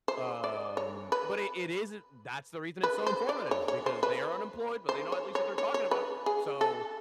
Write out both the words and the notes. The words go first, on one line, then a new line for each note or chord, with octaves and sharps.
Um, but it it isn't That's the reason it's so informative, because, they are unemployed, but they know at least what they're talking about. So,
C5
D5
C#5
B4
B4
C5
D5
C#5
C#5
C5
B4
C5
C#5
C#5
C#5
C#5
B4
G#4
A4